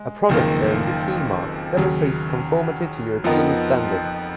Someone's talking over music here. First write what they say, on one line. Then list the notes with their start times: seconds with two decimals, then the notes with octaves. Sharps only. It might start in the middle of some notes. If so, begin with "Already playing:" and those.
A product bearing the Keymark demonstrates conformity to European Standards.
Already playing: G#3
0.29 F#1 F2 D#3 A#3 F4
1.77 D#2 C#3 F#3
3.24 F2 F3 B3 D#4 A#4